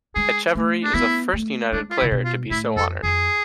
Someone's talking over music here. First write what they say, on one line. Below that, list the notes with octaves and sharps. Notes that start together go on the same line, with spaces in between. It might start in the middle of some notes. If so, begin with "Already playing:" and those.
Etcheverry is the first United player to be so honored.
G#3 G#4
A3
D4
B3 E4
A3
G#3 D4
F4
E4
C3
B2
F4
A2 E4
F2 A4
F2 G#4